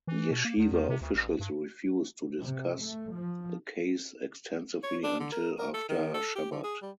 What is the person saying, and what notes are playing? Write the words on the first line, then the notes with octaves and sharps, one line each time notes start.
Yeshiva officials refused to discuss the case extensively until after Shabbat.
E3
B2
A#3
E2
E2
C3
D2
A1
A#1
G2
C3
A3
F3
C#5
D4
D3
A#4
A#4
A4
D#3
A4
G4
D3
G#4
G3